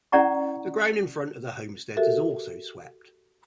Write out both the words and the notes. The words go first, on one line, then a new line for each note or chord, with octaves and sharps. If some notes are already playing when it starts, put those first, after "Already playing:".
The ground in front of the homesteads is also swept.
C#4 E4 D5 F#5 A#5 C#6
F#4 G4 A4 A#4 E5